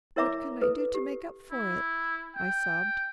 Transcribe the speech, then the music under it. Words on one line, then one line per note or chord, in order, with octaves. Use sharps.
"What can I do to make up for it?" I sobbed.
E4 A#4 C#5 E5 A#5 D6
A4 B4
G4
E4
G5